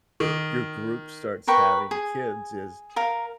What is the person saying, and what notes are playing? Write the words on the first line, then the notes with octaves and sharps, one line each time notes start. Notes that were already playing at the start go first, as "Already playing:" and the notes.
your group starts having kids is
D#3
A#4 B4 G5 C#6
G#4
A#4 F5